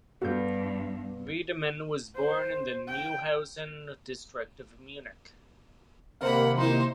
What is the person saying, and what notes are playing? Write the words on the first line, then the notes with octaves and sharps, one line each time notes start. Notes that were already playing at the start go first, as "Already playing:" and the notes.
Wiedemann was born in the Neuhausen district of Munich.
G2 B3 F#4 A4 B4 F5 G6
C5
G5
C3 D#3 A#3 A#4 C5 F5 F#5 B5
F3 D#4 E4 C5 C6